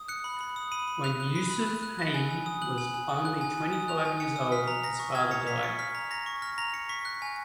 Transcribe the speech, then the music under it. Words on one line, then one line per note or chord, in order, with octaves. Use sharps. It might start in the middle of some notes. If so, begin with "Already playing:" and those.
When Yosef Hayim was only twenty-five years old, his father died.
Already playing: D#6
F#6 C#7
B5
B5
D#6
B5 D#7
B5
F#6 F7
F#6
B5
B5
F#6
F#6
F#6
G#5
G#5
D#6
F#6 F#7
G#5
G#5
D#6
F#6
G#5
G#5
D#6
F#6 F7
G#5
G#5 C#7
D#6
F6 B6
A#5
A#5 A#6
C#6
F6 G#6
A#5 C#7
A#5 B6
C#6 C#7
F6 B6
A#5
A#5 A#6
C#6
F6 A#6
A#5 A#6
A#5 C#7
C#6 B6
F#6
G#5